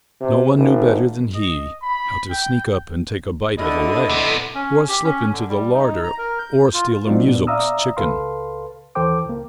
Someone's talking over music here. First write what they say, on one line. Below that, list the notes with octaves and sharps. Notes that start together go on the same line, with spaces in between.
No one knew better than he how to sneak up and take a bite at a leg, or slip into the larder or steal a muzhik's chicken.
C3
G#1
D#5
B5
G5
D3 E4 D#5 D#6
C3 B3
C#4
G4
C#4
D3
G3
D#4
A#5
A#4
G6
F4
F#3 C4 D4 D#4 F4
A#2 B3 D4
D5 E5 F5 A#5 D#6 E6
C#2 A4 B4 F5 C6
D#2 E3 A4 C5 G5 D6
C#2 A#3